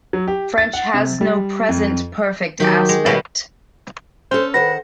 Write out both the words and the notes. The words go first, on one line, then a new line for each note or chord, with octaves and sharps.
French has no present perfect aspect.
F#3
G4
A6
F#5
C3
G3
F2
D#3 F#3 G4
G#3
B2 G3 B3 C#5
C#4 A4 C5
D#3 B4 C5 F#5 A#6